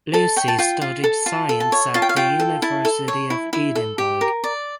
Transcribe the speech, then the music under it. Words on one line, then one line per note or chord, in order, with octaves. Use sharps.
Lucey studied science at the University of Edinburgh.
A4 A5
C#5 G5
A5
F4 G5
F4
A4
F4 A5
A4
A5
C#5
F4 A5
G5
F5
F4 G5
A4
E4 A5
A4
C#5
E4
E4
A4
G4
A#4
D5